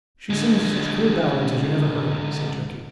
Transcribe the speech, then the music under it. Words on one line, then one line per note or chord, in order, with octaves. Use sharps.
"She sings such queer ballads as you never heard," said Turkey.
D3 G#3